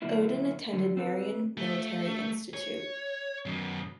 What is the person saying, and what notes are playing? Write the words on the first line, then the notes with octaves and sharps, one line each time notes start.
Oden attended Marion Military Institute.
B2 D3 F#3 A#3 E4
D3 F#3
C4 A4 B4
A3
C#5
F#2 B2